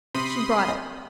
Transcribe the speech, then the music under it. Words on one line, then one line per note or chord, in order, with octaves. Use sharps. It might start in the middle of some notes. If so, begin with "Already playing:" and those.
She brought it.
C3 B5 C6 D#6